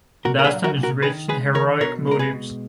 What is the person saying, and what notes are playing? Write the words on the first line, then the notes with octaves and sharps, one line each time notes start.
Dastan is rich in heroic motives.
A#2 F#4 A#4
A#4
G#4 B4
F#3
F#4 A#4
A#2
F#4 A#4
D#3 G#4 B4
G#3 G#4 B4
D#3 A#4 C#5
B2 A#4 C#5
G#3 A#4
G#4 B4
B2